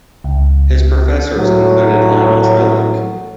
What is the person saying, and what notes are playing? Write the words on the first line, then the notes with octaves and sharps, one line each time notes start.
His professors included Lionel Trilling.
C#2
A2 F#3